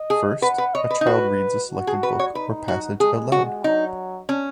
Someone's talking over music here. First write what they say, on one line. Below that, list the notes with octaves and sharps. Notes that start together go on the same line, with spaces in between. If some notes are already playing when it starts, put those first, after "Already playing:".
First, a child reads a selected book or passage aloud.
Already playing: D#5
G#4
B4 F#5
B4
C#5 D#5
B4
D#4
F#4 B4
F#4
G#4
B4
C#5
D#4 B4
F#4
G#3 G#4
G#3 F#4
F#3 D#4
C#4